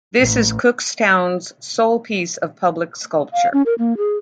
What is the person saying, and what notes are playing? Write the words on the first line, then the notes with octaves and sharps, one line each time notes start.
This is Cookstown's sole piece of public sculpture.
A1
F5
C#4
A#4
A#3
G#4